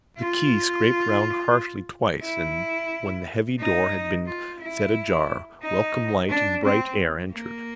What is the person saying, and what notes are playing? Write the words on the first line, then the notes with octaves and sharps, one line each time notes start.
The key scraped round harshly twice and, when the heavy door had been set ajar, welcome light and bright air entered.
F4
E4
D#4
F4
E4
D#4
D4
C4
A#3